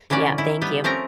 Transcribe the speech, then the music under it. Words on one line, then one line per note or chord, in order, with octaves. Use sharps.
Yeah, thank you.
D3 E3 A#3 C#4 D5
D#3 E4
G3 B3
F3 A3 C4 C#4 A#4 A#5